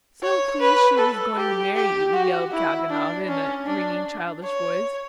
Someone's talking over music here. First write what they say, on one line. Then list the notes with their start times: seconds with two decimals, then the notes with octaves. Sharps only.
"So pleased she was going to marry you!" yelled Kalganov, in a ringing, childish voice.
0.22 C#5
0.61 B4
0.98 A4
1.37 G4
1.76 G4
2.13 F#4
2.52 E4
2.90 D4
3.27 C#4
3.66 D4
4.43 C#5